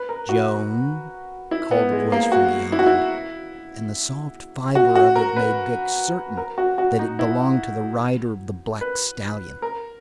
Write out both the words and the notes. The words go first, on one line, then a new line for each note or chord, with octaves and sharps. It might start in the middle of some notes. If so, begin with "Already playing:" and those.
"Joan!" called a voice from beyond, and the soft fiber of it made Vic certain that it belonged to the rider of the black stallion.
Already playing: B4
A#4
F#4
E4
B3
G#3
A#3
F#4
E4
F#4
E4
F#4
F#4
A#4
B4
A#4
F#4
F#4
D#4
E4
B4
A#4